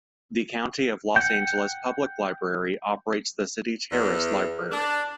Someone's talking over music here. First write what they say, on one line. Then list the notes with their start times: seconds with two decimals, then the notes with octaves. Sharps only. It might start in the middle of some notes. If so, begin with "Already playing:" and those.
The County of Los Angeles Public Library operates the City Terrace Library.
1.16 F#5 G5
3.91 E2
4.72 D4